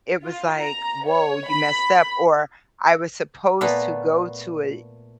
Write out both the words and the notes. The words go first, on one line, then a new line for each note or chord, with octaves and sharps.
it was like, "Woah, you messed up." Or I was supposed to go to a
F4
A#5
C#5
B5
A#2 A3 B3